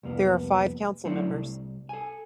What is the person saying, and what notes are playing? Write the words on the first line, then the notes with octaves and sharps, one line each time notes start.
There are five council members.
C2 F2 A#3 B3
F#3 A3 C4 D4 E4 C#5
C2
A4 G#5